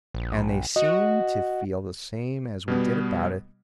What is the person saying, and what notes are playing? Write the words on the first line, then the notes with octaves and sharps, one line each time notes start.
And they seemed to feel the same as we did about it.
A#1
F#4 D#5
B2 G3 B3